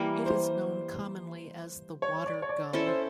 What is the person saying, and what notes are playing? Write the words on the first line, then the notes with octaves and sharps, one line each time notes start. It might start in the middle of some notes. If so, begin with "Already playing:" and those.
It is known commonly as the water gum.
Already playing: E3 G3 A#3
C5
C#5
D5
C#5
D5
C#4 E4 A4 C5
C5